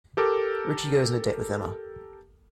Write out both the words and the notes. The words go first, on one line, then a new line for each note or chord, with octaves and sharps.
Richie goes on a date with Emma.
G4 A4 A#4 D6